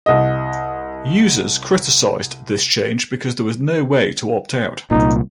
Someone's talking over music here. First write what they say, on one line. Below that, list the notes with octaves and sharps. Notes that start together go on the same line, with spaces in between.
Users criticized this change because there was no way to opt out.
C2 D#5
C2 A#2 D#4